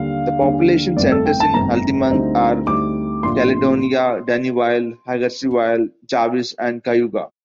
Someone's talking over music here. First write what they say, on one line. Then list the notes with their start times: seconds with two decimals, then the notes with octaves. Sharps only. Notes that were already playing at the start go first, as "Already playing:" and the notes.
The population centres in Haldimand are Caledonia, Dunnville, Hagersville, Jarvis and Cayuga.
Already playing: D#2 D3 G3 D4 F5
0.41 D#2 D3 G3 D4
0.97 G1 F2 D#3 A3 D5
1.12 A4
1.26 G5
1.40 A5
1.54 G1 F2 D#3 A3 A#5
2.11 D2 D3 G3 C4 D#4
2.67 D2 D3 G3 C4 D#4 D6
3.23 A#1 A2 A3 D4 F4 C6